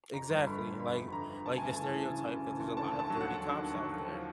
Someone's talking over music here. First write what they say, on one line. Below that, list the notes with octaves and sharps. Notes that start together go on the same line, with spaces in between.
Exactly, like like the stereotype that there's a lot of dirty cops out there.
F2 A#5
G1
D3 B5
G1
F2 B5
G1
B5
D3 A#5
G1
C#3 A5
D2 G#5
A5
E3
D2
C#3
D2
E3
D2
D3 A5
D#2
A5
F#3
F#5
D#2
D3
D#2
F#3
D#2
F3